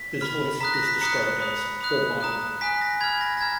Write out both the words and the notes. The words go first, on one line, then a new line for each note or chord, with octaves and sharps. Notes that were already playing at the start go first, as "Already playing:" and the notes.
His voice is described as full-bodied.
Already playing: B6
B5 F6
A#5 D#6 F#6 B6
A#6
B6
A#5 D#6 F#6 C#7
B5 D#6 F#6
B5 D#6 F#6
A#5 D#6 F#6
G#5 D#6 F#6 B6
A#6
B5 F6 G#6
A#6
A#6
A#5 F6 G#6